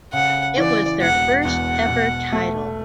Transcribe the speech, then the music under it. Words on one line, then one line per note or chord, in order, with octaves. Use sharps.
It was their first ever title.
C#3 F#5
E3 D5
E1 F#5
E2 F#5
B2
A3